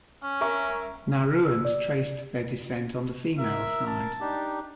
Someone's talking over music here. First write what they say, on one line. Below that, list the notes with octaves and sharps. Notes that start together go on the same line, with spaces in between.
Nauruans traced their descent on the female side.
C#4
A#4 E5 C#6
E6
D5
A#4 E5
A5
D4 D#4 G4